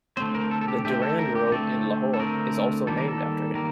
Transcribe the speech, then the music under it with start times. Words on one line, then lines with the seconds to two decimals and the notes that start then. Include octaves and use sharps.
The Durand Road in Lahore is also named after him.
0.17 D3 A3 C4 C5
0.35 A#4
0.51 A4
0.61 A4
0.68 G4
0.85 D3 A3 C4 G4
1.02 A4
1.19 A#4
1.35 G4
1.52 D3 A3 C4 A4
2.14 A4
2.19 D3 A3 C4 A#4
2.87 D#3 G3 A#3 A4
2.98 A#4
3.08 A4
3.54 D#3 G3 A#3 A#4